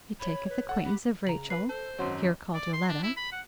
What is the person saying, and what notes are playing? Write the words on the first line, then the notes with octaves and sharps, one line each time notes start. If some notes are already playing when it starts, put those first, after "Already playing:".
He taketh acquaintance of Rachel, here called Yoletta.
C#5 B5
B4
A4 F#5
G4 B5
C#3 A#5 F#7
B4 C7
A4 C5 A5
G#1 F#2 F#4 C#5 F#5 C6
D5
C6
D4
E4
B5
F#5